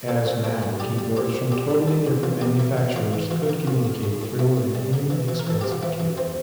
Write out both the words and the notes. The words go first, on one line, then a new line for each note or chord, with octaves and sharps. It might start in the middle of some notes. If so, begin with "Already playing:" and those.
As now keyboards from totally different manufacturers could communicate through an inexpensive cable.
C4 A4
C4
A2 A4
A2
G3 G4
G3
C4 G4
A#2
A#2 G4
G3
G3 A4
A#2
E3 F4
A#3 G4
A#3 E4
E3
A#3 F4
E3
E3 F4
A#3
A2 F4
A2
A2
A2
A2 E4
A2
G3
A#3
E3
E3
A#4
E3 A4
C4 G4
F4
E3 E4
E3
C4 C5